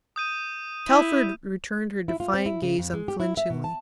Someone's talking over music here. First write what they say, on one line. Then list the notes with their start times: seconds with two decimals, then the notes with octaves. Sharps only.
Telford returned her defiant gaze unflinchingly.
0.16 D#6 G6 D#7
0.88 E4
2.08 E4
2.20 F4
2.34 C4
2.46 E4
2.62 C#3
2.78 F2
2.94 G#3
3.08 G4
3.20 E4
3.37 E5
3.50 B2
3.64 A5